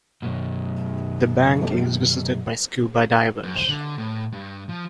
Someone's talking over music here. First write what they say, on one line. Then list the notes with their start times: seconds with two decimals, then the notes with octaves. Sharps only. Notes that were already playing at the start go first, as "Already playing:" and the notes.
The Bank is visited by scuba divers.
0.22 F#2 B2
3.43 F#2
3.56 C5
3.68 D3
3.98 A2
4.32 G2
4.69 F3